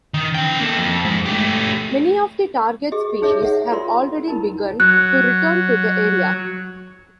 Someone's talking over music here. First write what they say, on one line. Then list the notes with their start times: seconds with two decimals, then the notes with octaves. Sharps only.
Many of the target species have already begun to return to the area.
0.14 D#3
0.35 C#4 G5
0.60 A#3 A4
0.78 F2
1.05 G#2
1.26 A3 G4
2.92 G4 G#4 D#5
3.22 D#4 G#4 C#5 E5
3.41 C#5 E5 F#5
3.72 F4 A#4 D5 C6
4.28 D#4 E4 A#4
4.80 F#3 F#6